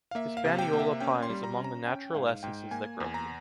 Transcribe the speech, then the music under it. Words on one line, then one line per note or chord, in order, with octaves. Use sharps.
Hispaniola pine is among the natural essences that grow here.
F5
A#3 E5
F5
C3
G5
A#3
E5
C#4 G5
C6
G3
A#5
C#4
A#5
C#4 G5
G#2 F5
G#2 G5
A#3 G#5
E2
A#5